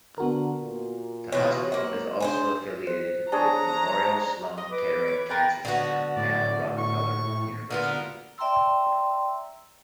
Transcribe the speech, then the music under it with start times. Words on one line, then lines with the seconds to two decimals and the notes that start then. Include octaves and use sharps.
The hospital is also affiliated with Memorial Sloan-Kettering Cancer Center, and Rockefeller University.
0.18 D3 B3 F#4 A#4
0.59 A#2
1.32 B2 E3 F4 F#4 C#5
1.72 F#2 A#3 F#5
2.20 D4 G#4 B4 C5
2.87 C5
3.32 D4 G#4 C#5 A#5
4.58 D#5
4.71 B4 D6
5.08 C#5
5.29 A#4 B4 G5 A6
5.65 D3 B3 F#4
6.16 A2 D5
6.78 C#6
7.71 D3 B3 F4 A#4
8.38 D5 E5 G5 A#5 C6 E6